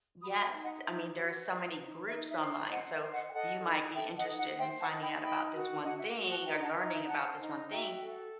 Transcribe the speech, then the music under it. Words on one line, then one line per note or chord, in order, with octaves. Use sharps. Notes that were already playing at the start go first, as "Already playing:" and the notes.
Yes. I mean, there are so many groups online, so, you might be interested in finding out about this one thing or learning about this one thing
F#4 B5 D#6
E5 G5
D#4
D#5 F#5
D#4 E5
F#4
C5 E5
D#4
D#4 E5
E5
C5
E5
C5 D#5 F#5
E5
C5
D#5 F#5
G5
A4 D#5 F#5
D#4
A4 E5 G5
D#5 F#5
D#4
D#5 F#5
C5 E5 G5
F#5 A5
D#4
G5 B5
D#4 G5 B5
F#4
F#4 D#5 F#5
E5
F#4
F#5 A5
D#4 E5 G5
F#5 A5
D#4 E5
E5
C5 F#5 A5
D#4
F#4 E5 G5
A4